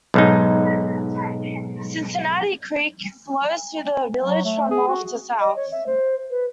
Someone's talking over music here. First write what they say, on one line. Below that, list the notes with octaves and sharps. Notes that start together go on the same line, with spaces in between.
Cincinnati Creek flows through the village from north to south.
B1 G#2 D#4
F#3
A3
G#4
F#4
D#5
C#5
E5
C5
B4